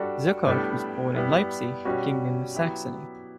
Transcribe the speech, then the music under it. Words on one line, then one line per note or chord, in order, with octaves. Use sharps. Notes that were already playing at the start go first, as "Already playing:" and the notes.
Zuchardt was born in Leipzig, Kingdom of Saxony.
Already playing: G3 D4 F#4 A4
A2 G3 B3 D4 A4
G3 B3 E4
B2 G3 C#4 F#4
F#3 B3 E4 G4